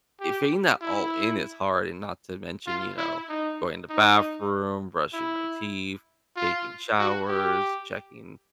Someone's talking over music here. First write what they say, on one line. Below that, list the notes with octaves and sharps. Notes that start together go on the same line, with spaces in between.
If being that all in is hard and not to mention, you know, going to bathroom, brushing my teeth, taking showers, checking,
G4
E4
F4
E4
D#4
D#4
E4
F4
F#4
G4